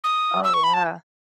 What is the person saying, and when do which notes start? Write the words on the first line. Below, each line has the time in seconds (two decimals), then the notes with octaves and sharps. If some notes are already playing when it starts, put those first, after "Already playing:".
Oh, yeah.
0.04 D#6
0.44 E6
0.54 C#6
0.64 B5
0.74 A5